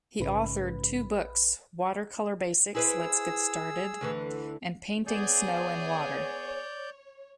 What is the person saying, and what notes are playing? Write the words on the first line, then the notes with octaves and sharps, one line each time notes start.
He authored two books, "Watercolour Basics: Let's Get Started" and "Painting Snow and Water".
A#1 G#2 C#3 G#3 B4 B5
E4 G#4 B4 C5 E6
D2 D3 E3
B3 G#4 C#5 D5 G6